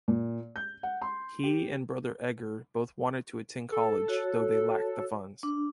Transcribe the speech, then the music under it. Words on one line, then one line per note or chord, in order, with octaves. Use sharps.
He and brother Edgar both wanted to attend college, though they lacked the funds.
A#2
G6
F#5
C6
G4
A4
F#4 C#5
D4